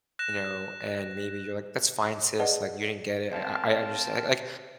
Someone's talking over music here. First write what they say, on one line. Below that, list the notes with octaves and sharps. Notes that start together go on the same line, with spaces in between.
You know? And maybe you're like, "that's fine, sis. Like, you didn't get it. I I I understand." Like like,
F#6 A#6 E7
G#4 B4 D5 D#5 F#5 A5
C4 A#4 F5 G5 A5